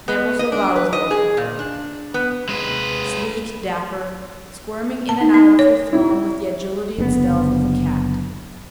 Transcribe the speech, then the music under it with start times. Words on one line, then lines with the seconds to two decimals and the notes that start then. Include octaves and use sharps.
There was the Wowzer over there--sleek, dapper, squirming in and out of the throng with the agility and stealth of a cat.
0.08 B3
0.39 D#5
0.52 D4
0.76 B4
0.93 D#5
1.11 G#4
1.37 A#2
1.59 D4
2.14 B3
2.49 G#3 B4
5.09 A5
5.21 D#4
5.34 D#4
5.59 C#5
5.93 E4
6.98 F#1 D3 B3